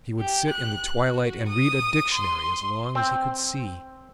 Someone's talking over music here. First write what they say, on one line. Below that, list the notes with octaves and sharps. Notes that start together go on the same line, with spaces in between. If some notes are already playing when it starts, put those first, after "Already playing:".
He would sit in the twilight and read a dictionary as long as he could see.
G4
F#6
F#4
D#6
C6
C4